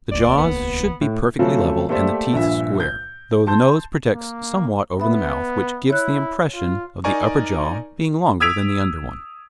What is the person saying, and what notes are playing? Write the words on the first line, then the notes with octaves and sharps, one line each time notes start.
The jaws should be perfectly level, and the teeth square, though the nose projects somewhat over the mouth which gives the impression of the upper jaw being longer than the under one.
D#1 C#2 A#3 D5
B3
A2
C#3 F3 F#3 A3 C4
A3 A#3 G4 C5 D5 E5
A#1 G2 A#2 E5
G6
A5 C6 G6
A#3
B3 E5 B5
E4 C#5 F#6
F4
D#4 A#4 D5 G#5 A#5 C#6
D#6 E6 G#6 B6 D7 F7